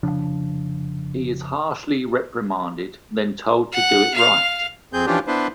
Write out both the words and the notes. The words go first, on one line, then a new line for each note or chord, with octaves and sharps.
He is harshly reprimanded, then told to do it right!
F1 C#3 F3 D4
F#5
F5
F2 C4 G#4 G6
E3 F3 C#4 D4 F4 G4
B3 D4 E4 B4 C5